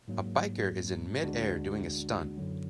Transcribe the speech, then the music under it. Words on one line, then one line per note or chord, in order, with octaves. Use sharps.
A biker is in midair doing a stunt.
G#2 F#3 A#3
D2 D3 G#3 D4 F#4
F#2 D3 F#3